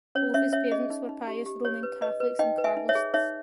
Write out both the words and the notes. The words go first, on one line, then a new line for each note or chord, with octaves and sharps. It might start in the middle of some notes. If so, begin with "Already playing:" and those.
Both his parents were pious Roman Catholics and Carlists.
C#4 C#5
C#4 C#5 E5
C#4 C#5 E5
G#4 D#5
D#4
D#4
G4
G4
G4 C#5
B4
B4 D#5
B4
D#4 D#5 G5
B4
E5 G#5
D#4
C#5 E5
G#4
D#4 C#5 E5